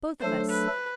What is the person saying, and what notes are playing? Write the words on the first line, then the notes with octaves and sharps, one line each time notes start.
'Both of us.
F#3 A3 D4 A4 C5
B4